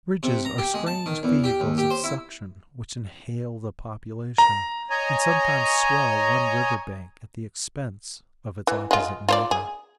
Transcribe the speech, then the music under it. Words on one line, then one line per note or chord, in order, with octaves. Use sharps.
Bridges are strange vehicles of suction, which inhale the population, and sometimes swell one river-bank at the expense of its opposite neighbour.
C3
A#5
G4
G#3
A5
D#3
E2
G4
D#2
G4
C5
E4
A#5
C#5 D#5 G#5 A#5
E3
G#3 F4
F4 C5 D5
G#4